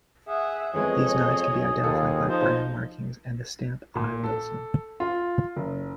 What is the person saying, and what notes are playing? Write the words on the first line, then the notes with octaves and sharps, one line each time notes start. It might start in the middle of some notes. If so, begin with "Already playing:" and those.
These knives can be identified by brand markings and the stamp I. Wilson.
G#4 E5 F#5
F2 E3 G#3 B3 G#4 C#5 D#5
B1
D#2 F4 A4 F5
F3 D#4 C5
A#2
A4
F4
F#1